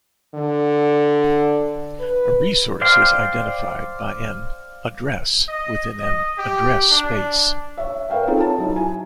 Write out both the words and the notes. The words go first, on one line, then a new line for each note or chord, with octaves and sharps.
A resource is identified by an "address" within an "address space".
D3
B4
C5 D5 F5 G5 C6
D#5
D#5
G4
D4
C#5 E5
A#4 B4 C#5 F5 G5
C4 D#4 F4 G#4 A4 C#5
A5
F#3 D#4 E4
G#5